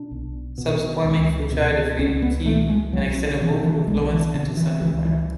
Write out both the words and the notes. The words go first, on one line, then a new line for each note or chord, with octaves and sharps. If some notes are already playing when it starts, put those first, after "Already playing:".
Subsequently, Fuchai defeated Qi and extended Wu influence into central China.
Already playing: B2 D4
B1
B2
C#2
B2
C#2 C#4
B3
B2 A3
G#3
B1 F#3
B2 E3
E3
B1 G#3
E3
B2 D3
E3
C#2 E3
E3